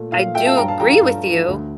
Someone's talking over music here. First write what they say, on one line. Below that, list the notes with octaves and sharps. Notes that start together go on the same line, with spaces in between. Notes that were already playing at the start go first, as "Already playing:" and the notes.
I do agree with you
Already playing: A#2 A3
A#2 F5
A3 E5 G5
F5 A5
G2 G5 A#5
F5 A5
F3 A3 G5 A#5
F5
G2
F3 A3
D2